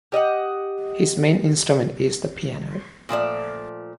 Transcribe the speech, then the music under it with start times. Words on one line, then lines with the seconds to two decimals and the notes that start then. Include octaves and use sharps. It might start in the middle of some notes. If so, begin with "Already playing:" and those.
His main instrument is the piano.
0.12 G4 D#5 E5 F#5
3.09 A#2 F3 A3 D5